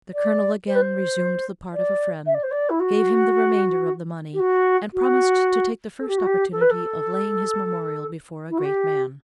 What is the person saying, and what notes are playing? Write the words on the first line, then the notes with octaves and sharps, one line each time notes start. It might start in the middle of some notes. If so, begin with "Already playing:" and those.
The colonel again reassumed the part of a friend, gave him the remainder of the money, and promised to take the first opportunity of laying his memorial before a great man.
D5
C5
B4
C5
D5
E5
D5
C5
D5
E4
F#4
G4
F#4
F#4
A4
G4
F#4
G4
A4
B4
A4
E4
F#4
G4